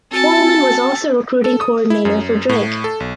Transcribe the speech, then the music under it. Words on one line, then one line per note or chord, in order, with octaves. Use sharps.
Pohlman was also recruiting coordinator for Drake.
C4 F#4 A4 G#5 A5
A4
D#6
E4
F#2
A2
A4
B1